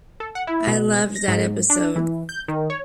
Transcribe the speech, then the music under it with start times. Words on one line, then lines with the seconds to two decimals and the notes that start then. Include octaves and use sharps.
I loved that episode!
0.20 A4
0.35 F#5
0.47 E4
0.67 B2
1.16 A#6
1.28 G#2
1.70 D4
1.96 E3
2.29 G6
2.48 D#3
2.70 C#5